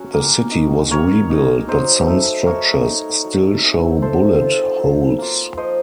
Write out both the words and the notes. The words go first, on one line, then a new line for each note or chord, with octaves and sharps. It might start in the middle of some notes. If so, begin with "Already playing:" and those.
The city was rebuilt but some structures still show bullet holes.
Already playing: F#3 C#4 F#4
A#3
D#4
A#3 A#4 C#5
D#4
F#3 C5 D#5
A3 D#4
A3 A#4 C#5
D#4
F#3
A3 C4
F3 A4 C5
C4 F4
F#3
A#3 F4
F3 C5 D#5